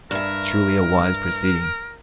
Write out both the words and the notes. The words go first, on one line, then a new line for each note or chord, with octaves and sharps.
Truly a wise proceeding!
G2 A#4 E5